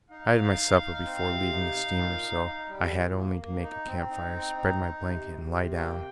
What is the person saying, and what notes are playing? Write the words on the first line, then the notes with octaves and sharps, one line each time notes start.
I had my supper before leaving the steamer, so I had only to make a campfire, spread my blanket, and lie down.
D#4 F5
D#4
D#4
D#4
C4
C3
D#4
D#4
A#2
D#4
D#4
G3
A#2
A#3
A#3
D#4
C4 A#5
D#4
C4
D#4
D#4
C3
C3
C3
A#3 G5